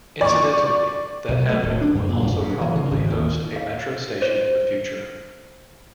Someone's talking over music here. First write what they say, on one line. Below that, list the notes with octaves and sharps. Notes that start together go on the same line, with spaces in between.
Incidentally, that avenue will also probably host a metro station in the future.
D5 C#6
B1
A3
D1
D4
F#2
A#2
F#2
G2
E3
C#3
G#1
D#2
F5
C5